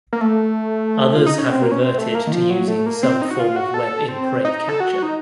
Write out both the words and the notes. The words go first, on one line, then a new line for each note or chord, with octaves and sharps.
Others have reverted to using some form of web in prey capture.
A#3
A3
F4
D#4
C#4
C4
A#3
C#4
C4
A3
A#3
D#3
F3
F#3
A3
A#3
C4
D#4
F#4
F4
F#4
A4
C4
D#4
A4
F#4
D#4